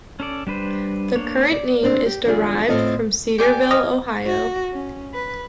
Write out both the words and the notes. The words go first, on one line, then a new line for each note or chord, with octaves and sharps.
The current name is derived from Cedarville, Ohio.
C#4 A4 D5
G3 D4 B4 C5
A#3 D4 C#5
D5
C4 D4 C5
G4
E2 D3 G3 F4 G#4
A2 A3 C4 F4 A4 D#5
G4 D5 G#5
D#5 F6
F#4
C#4
B4